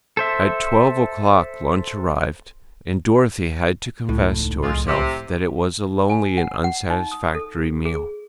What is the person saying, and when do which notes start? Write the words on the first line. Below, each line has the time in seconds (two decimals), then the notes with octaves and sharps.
At twelve o'clock lunch arrived, and Dorothy had to confess to herself that it was a lonely and unsatisfactory meal.
0.17 A4 C5 E5
4.09 C#2 A2
4.36 E1 D#3
4.63 C2 F2 G#3 F4
4.87 C3
6.10 G#5
6.38 F#5
6.64 F#5
6.90 D#4
7.12 D#6
7.35 A4
7.85 G#4